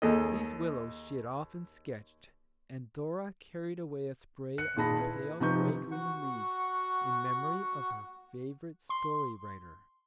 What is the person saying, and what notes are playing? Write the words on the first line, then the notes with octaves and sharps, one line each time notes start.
These willows she had often sketched, and Dora carried away a spray of the pale gray-green leaves, in memory of her favourite story-writer.
D#2 G#4 A4 D#5
F#6 C#7
A#2 D#3 G#4 A5 B5 A#6
E4 B4
C3 F3 D#4 B4 C#6 G6
F#4 F#5 C#6
C6